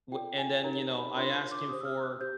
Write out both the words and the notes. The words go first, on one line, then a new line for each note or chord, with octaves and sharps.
w and then, you know, I asked him for
F4 A4 D5 G5
G#5
D#4 G4 A#4 C#5 A#5
B5
D4 F4 A#4 C#5 C6
D6
G4 C5 D#6
E6
F6
F#6
G4 C5 G6